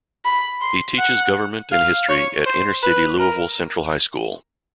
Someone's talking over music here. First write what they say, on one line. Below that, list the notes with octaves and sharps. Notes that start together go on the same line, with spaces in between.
He teaches government and history at inner-city Louisville Central High School.
B5
C6
F#5
F5
C#5
C5
B4
A#4